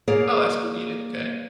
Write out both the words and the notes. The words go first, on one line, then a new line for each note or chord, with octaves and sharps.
Oh, that's convenient, okay.
A#3 G#4 C#5 D5